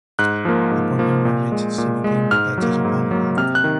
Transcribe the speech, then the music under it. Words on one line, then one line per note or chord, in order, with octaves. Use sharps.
Upon her marriage she became the Duchess of Anhalt.
G#2 F#6
F3 A#3
G#2
F3 A#3
A#2
G#3
A#2
G#3
G#2 F6
F#3 A#3
G#2
F#3 A#3
C3 F6
F#6
D#3